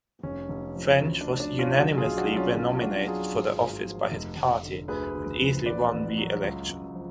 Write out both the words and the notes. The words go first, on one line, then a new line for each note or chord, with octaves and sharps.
French was unanimously renominated for the office by his party, and easily won re-election.
F1 C#4
F1
F3
D2 C#4
D4
D2
D4
F3
C#4 F4
B1 D4 F#4
F4 G#4
B1
D4 F#4
F#3
C#4 F4
B1 C#4 F4
B1 D4 F#4
F#3 F4 G#4
G#1
G#1
F3
F1
F1
D3
D2 G#4 B4
D2
F3
A1 B4 D5
A1
F#3
C#2
C#2
F3